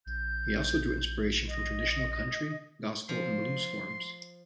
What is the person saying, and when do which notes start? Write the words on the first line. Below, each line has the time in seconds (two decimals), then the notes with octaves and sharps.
He also drew inspiration from traditional country, gospel, and blues forms.
0.06 A#1 G6
1.48 D#5
3.09 F3 C6